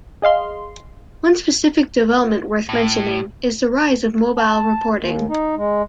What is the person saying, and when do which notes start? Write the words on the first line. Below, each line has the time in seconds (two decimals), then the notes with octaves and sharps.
One specific development worth mentioning, is the rise of mobile reporting.
0.22 G#4 D#5 F5 C6
2.69 A2
4.38 A5
4.96 D#2
5.29 D#4
5.56 G#3